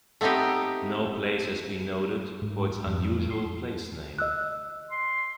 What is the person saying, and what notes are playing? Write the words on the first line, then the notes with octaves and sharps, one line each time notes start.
No Place has been noted for its unusual place name.
A3 B3 C4 D#4 G4
G#2
F2
C6
D#5 E6 F#6
C6